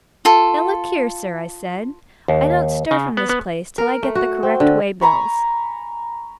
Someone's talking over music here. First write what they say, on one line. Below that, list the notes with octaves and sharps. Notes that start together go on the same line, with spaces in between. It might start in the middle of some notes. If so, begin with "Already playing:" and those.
'Now look here, Sir,' I said, 'I don't stir from this place till I get the correct way-bills.
F4 A4
D#2
C#3
B3
B3
A#4
A3
F#4
C4
D3
G#5 A#5 B5 C#6